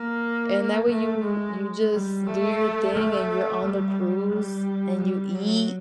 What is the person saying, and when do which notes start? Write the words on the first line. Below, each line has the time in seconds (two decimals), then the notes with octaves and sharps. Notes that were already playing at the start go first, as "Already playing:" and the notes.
And, that way you you just do your thing, and you're on the cruise, and you eat.
Already playing: A#3
0.89 A3
1.24 G#3
1.93 G3
2.27 A3
2.95 A3
3.64 G3
4.33 G3
5.01 G3
5.35 F#3